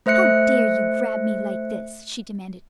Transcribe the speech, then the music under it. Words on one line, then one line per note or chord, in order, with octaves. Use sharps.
"How dare you grab me like this?" she demanded.
A3 C5 E5 F#6 C#7